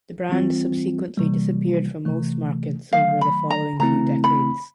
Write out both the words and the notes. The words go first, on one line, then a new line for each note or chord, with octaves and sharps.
The brand subsequently disappeared from most markets over the following few decades.
E3 G3 C4 F4
C3 E3 G3 A#3
C3 E3 A3
D#3 F#3 A3 F5
B5
A#5
C#3 E3 A3 C4 E4 A#5
B5